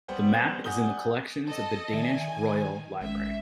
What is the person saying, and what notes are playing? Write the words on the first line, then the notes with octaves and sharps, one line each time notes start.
The map is in the collections of the Danish Royal Library.
G3 B3 G4 C5 F#5 G5
D5 F#5 G#5 D#6 G6 G7
A4 D#5
D#3 D5 E5 G#5
A1 G#3 C#4 E5